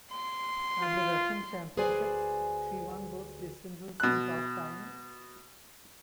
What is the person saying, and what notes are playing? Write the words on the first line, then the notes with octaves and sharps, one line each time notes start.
At the Russian Championships, she won both distances in top times.
C6
F4
D2 G#4 B4 C5 D5 G#5
B2 F#6